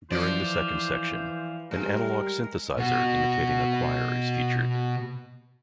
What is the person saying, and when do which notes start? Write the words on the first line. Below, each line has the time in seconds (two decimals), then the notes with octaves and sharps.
During the second section, an analog synthesizer imitating a choir is featured.
0.10 E3 F3 C5 D5
1.71 G3 G#3 A#4
2.77 B2 F#4